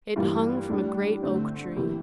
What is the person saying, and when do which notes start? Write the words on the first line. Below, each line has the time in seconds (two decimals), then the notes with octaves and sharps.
It hung from a great oak tree.
0.16 G2 E3 G3 A#3 F4
0.69 A2 G3 D4
1.23 D3 A3 C4
1.76 C3 E3 A#3